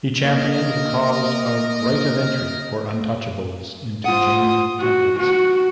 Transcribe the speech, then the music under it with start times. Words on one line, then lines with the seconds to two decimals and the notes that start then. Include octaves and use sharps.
He championed the cause of right of entry for untouchables into Jain temples.
0.24 A#3 A#4 D#5
4.04 F4 C5 F#5 D#6
4.81 F#4
5.20 F#4